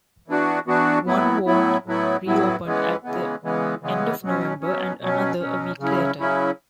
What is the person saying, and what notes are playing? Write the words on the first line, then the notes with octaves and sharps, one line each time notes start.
One ward reopened at the end of November and another a week later.
E3 B3 D4 F#4
E3 B3 D4 F#4
A2 F#3 B3 E4
A2 F#3 B3 E4
A2 F#3 B3 E4
A2 F#3 B3 E4
C#3 E3 G#3 B3
C#3 E3 G#3 B3
C#3 E3 G#3 B3
C#3 E3 G#3 B3
B2 F#3 C#4
B2 F#3 C#4
B2 F#3 C#4
B2 F#3 C#4
C#3 F#3 C#4 E4
C#3 F#3 C#4 E4